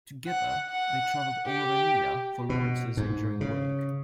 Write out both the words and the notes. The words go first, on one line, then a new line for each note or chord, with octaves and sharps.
Together, they travelled all over India for Lawrence's engineering work.
F#5
F#5
G4
B2
G#2
C#3